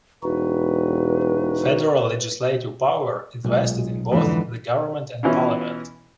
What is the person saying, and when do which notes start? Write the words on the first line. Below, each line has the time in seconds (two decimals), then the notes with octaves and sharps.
Federal legislative power is vested in both the government and parliament.
0.23 E1 D#4 F#4 B4
3.45 B1 A#2 G#3
4.12 F2 G#2 D3 E3
5.23 B2 E3 C#4 E4 F4